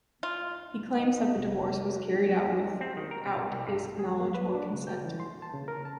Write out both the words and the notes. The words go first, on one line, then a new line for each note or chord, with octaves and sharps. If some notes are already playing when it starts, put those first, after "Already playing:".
He claims that the divorce was carried out without his knowledge or consent.
F4
D#4
F1
F#3
C4
D#3
A#4
C3
C2
G2
G#4
A#3
B4
D4
C#3
G6
E3
C6
A5
C#3
A#4
A5